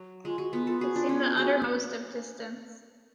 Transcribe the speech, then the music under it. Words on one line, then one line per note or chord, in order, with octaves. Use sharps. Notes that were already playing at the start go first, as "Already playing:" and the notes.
It seemed the utter-most of distance.
Already playing: F#3
G#3 F4
G#3 F#4
B3 F4
F4 A4
F#4 G#4
D4 F4
B3
G#3 F#4